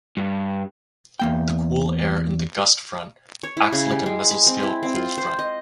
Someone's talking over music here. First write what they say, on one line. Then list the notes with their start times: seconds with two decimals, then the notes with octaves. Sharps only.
The cool air in the gust front acts like a mesoscale cold front.
0.17 G2
1.20 E2 A#3 G5
3.43 C#5
3.57 E4
3.73 C#3
3.91 G3
4.06 G#3
4.30 B5
4.46 C4
4.63 E4
4.83 C4
4.95 F4
5.18 C5
5.39 D#5